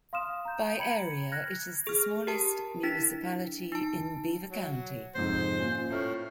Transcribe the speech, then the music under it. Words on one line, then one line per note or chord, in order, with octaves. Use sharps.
By area, it is the smallest municipality in Beaver County.
F5 C6 D#6 F6 E7
A#5 G6
G5 A#5 B5 G#6 C#7 F#7
F6 F#6 G#6 A#6
G#4 F6
G4 A#4 A5
D4 E4 B6
D#4 A5
F#3
F2 G#2 C3 C5
A#2 C#4
A2 C#6 F6 C7